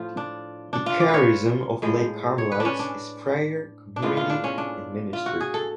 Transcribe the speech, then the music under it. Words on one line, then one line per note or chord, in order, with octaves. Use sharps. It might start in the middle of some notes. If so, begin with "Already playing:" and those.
The charism of Lay Carmelites is prayer, community, and ministry.
Already playing: A2 F3 A3 F4
D4
D4
F4
D5
B4
C#5
A2 F3 G#3
C#5
B4
D4
C#4
D4
D4
A2 G#3 B3 F4
F4
D4
C#4
D4
F4
F#4
G#4
A4